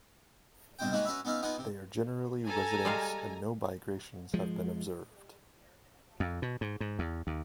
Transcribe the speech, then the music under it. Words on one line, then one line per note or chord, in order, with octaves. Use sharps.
They are generally residents and no migrations have been observed.
C2 G2 B2 C5 G5
D#3 G#3 A#3 F#4 B4 C#5
C#4 F#4 B4 C#5 E5
B3 C#4 D#4 E5 F5
B3 D#4 F4 F#5 G#5
C3
A4 G#5 A#5
G3 G#3 F5
F3 G#3
F2
B2
G#2
G#2
E2
D#2